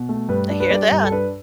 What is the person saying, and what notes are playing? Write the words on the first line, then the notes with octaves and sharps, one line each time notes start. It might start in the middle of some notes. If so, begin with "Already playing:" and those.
I hear that.
Already playing: B2
A3
G2 B4
D4
B4
G3 D5
G2
A4
D4 B4